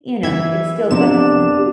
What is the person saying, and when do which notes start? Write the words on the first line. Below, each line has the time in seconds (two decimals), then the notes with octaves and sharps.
you know, it's still best that you
0.23 E3 E5 G#6
0.91 F2 C3 B3 D4 A#4 E7